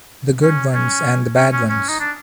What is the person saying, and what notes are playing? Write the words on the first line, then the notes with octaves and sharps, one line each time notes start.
The good ones and the bad ones.
C#4
C#4
C#4
C#4
C#4
D#4
D4